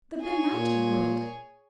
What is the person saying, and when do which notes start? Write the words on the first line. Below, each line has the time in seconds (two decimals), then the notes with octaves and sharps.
The benighted world!
0.21 G#4 C#5
0.55 A#2